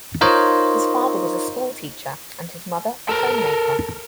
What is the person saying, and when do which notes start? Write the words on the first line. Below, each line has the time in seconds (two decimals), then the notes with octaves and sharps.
His father was a school teacher and his mother a homemaker.
0.21 D#4 F4 A#4 C5 C#5 D#5
3.09 A4 A#4